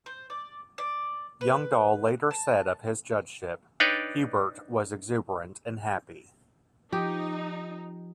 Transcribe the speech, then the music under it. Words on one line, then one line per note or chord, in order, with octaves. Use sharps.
Youngdahl later said of his judgeship: Hubert was exuberant and happy.
C5
D5
D5
B4
A5
D4 D#4 B4 C#5 D5 G5
F3 D#4 G4